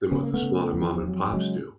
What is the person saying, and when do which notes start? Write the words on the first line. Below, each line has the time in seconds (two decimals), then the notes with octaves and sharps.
than what the smaller mom-and-pops do.
0.11 C#3 B3
0.23 A#3
0.34 A3 B3
0.42 C#3
0.73 F2
0.82 E3
0.96 F3
1.03 F2
1.08 F#3
1.21 G3
1.33 C#3 F#3 G#3